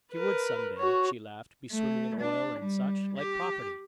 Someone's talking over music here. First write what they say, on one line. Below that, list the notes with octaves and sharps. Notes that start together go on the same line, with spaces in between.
She would some day, she laughed, be swimming in oil and such like property.
A#4 B4
F#4 C#5
A3
D4
G3
G4